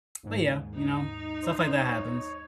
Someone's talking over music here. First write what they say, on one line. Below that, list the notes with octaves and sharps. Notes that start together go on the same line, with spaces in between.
But, yeah, you know, stuff like that happens.
D#2 G#2
D#4
C5
C#5